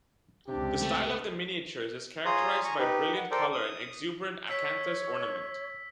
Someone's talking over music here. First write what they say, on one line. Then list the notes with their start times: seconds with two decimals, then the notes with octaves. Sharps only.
The style of the miniatures is characterized by brilliant colour and exuberant acanthus ornament.
0.48 C#2 C3 D4 G4
0.82 A3
2.25 F4 G#4 C#5 A#5 C6 D#6
2.64 G#5 A#5 C#6
2.79 D#4 G4 B4
3.16 F#5
3.31 A4 A#4 C5 D5 G5
3.52 D#6
4.49 C#5 E6 B6